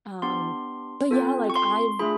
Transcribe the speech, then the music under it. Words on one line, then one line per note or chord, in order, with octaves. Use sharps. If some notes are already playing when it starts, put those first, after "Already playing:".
um, but yeah, like I've
B3 D4 G4 C6
C4 F4 A4
C#6
C6
A3 D4 F4 G#4 B5